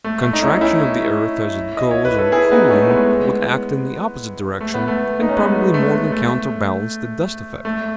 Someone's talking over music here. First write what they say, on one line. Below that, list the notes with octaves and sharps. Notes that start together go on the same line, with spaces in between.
Contraction of the earth as it goes on cooling would act in the opposite direction, and probably more than counterbalance the dust effect.
A3
A3
D#4
C#4 E4
C#4 E4
D#5
C#5
B4
A4
E4 G#4
B3 D#4
A3 C#4
G#3 B3
A3
B3
A3
D#4
C#4
G#3 B3
A3
A3
A3